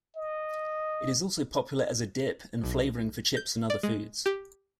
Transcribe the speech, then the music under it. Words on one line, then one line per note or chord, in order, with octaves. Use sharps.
It is also popular as a dip and flavoring for chips and other foods.
D#5
B1
G6
D5
G#3
G4